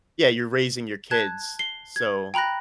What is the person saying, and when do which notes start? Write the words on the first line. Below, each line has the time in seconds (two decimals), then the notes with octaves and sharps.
Yeah, you're raising your kids. So,
1.11 A5 F#6 G#6
1.59 C7 G7
1.96 G#6
2.34 G5 A#5 B5 F#6 A#6